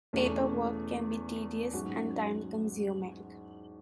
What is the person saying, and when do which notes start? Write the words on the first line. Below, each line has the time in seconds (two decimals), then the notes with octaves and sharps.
Paperwork can be tedious and time-consuming.
0.13 E2 B2 A3 C#4
1.73 G#2 F#3 C#4 F#4 F#5